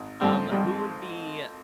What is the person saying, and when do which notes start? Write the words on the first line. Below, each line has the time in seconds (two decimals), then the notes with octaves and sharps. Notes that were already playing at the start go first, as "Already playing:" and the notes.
Um, who would be
Already playing: G#1
0.21 G#2 F3 G3 A3 C4
0.52 G#1 G3